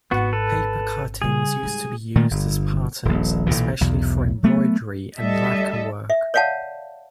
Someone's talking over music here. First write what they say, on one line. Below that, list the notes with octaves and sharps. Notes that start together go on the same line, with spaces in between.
Papercuttings used to be used as patterns, especially for embroidery and lacquer work.
G#1 B3 F#4
A4 B4
C#3 G3 G#4
G#2 G3
A#2 D#3 A3
G1
D#1 A#1
B1 A#2 E3
B1 E2
F#3 A3 B3
D2 G3 A4 D#5 E5
E5
C#5 D5 F5 F#5 A5